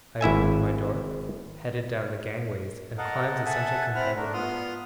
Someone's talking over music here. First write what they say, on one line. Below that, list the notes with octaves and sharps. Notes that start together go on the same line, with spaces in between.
I opened my door, headed down the gangways, and climbed the central companionway.
G#1 E4 E5 G#5
A4 A#4 D#5 F5 F#5
A4 E5 F#5 G#5 A5
C4 E4 F#5 B5 F6
A3 D4 A#4
B3 F4 C6 D#6 F6